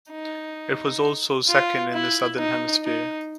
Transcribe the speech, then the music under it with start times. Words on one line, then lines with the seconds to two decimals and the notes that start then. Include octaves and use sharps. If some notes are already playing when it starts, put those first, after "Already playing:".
It was also second in the Southern Hemisphere.
0.11 D#4
1.48 F4
1.93 E4
2.38 D#4
2.84 D#4